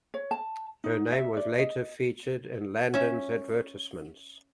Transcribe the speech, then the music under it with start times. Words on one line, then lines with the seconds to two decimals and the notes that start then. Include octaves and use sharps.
Her name was later featured in Landon's advertisements.
0.14 C#5
0.31 A5
0.84 D#4
1.12 E5
1.37 D5
1.59 D#5
2.94 C#4 E5